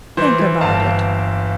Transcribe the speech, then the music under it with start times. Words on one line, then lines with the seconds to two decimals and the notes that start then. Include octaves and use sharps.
Think about it.
0.17 E3 C5
0.39 E3
0.61 G1 F5 A5